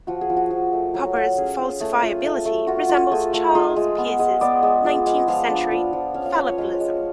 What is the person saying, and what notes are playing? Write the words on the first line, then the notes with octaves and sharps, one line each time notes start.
Popper's falsifiability resembles Charles Peirce's nineteenth century fallibilism.
F3 F#4
G#4
F3
F#4
F3
A3
F#3
F4
C#4 G#4
F4
A3 G#4
F4
A3
A3
F4 F#4
F4
A3 G#4
A3
F4 G#4
G#3
B3
G#3
B3 D5
G#3
F4
G#3
F3 F5
D4
F3
F3
C#4 F5
F5
F4 B4
C#5
G#3 F5
G#3